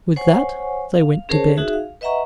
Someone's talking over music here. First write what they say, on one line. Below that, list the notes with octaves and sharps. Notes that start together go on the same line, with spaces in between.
With that they went to bed.
C5 C#5 F#5 G#5 C#6
F5
C#4 G#4 A#4 C5 C#5 A5
D#4 F#4 G#4 E5
F5
B4 D#5 E5 F#5 A#5 C#6